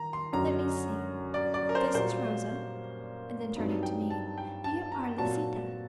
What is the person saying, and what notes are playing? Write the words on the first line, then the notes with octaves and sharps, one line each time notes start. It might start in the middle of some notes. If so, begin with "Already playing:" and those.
Let me see, this is Rosa," and then turning to me, "You are Lisita.
Already playing: D#3 A#5
C6
F#2 D3 F#3 A#5
D5
D5
A#4
C5
A#2 G3 A#3 F#4 C5
G2 F#3 C4 D#4
G5
A5
G5
A5
A#5
A#2 F#3 C4 F#4 A5